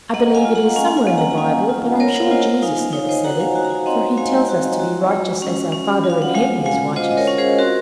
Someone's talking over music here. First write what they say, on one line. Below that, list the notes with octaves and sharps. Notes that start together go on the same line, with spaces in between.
"I believe it is somewhere in the Bible, but I am sure Jesus never said it, for he tells us to be righteous as our Father in heaven is righteous."
A#3 D#5 F#5
F5 G#5
F4
F#5 A#5
C#4 F5 G#5
F5 G#5
A#3
F#5 A#5
A#5
C#4 F5 G#5
F4
C5
A#3 A#4 C#5
F#5
F5
F4 C5 D#5
D#4 F5 G#5
F5 G#5
D#4 C#5 F5
C5 D#5
F#4 F#5 A#5
F5 G#5
F#4 F5 G#5
A#5
F5 G#5
C4 D#5 F#5
G#3 F5 G#5
F#4
F#4
G#3
C#4
C#4
F4
F5
F#5
G#3 F5 G#5
G#3 F5 G#5
F4 C5 D#5
D#5
A#4 C#5
C#4
G#4 C5
C4 F#4 A#4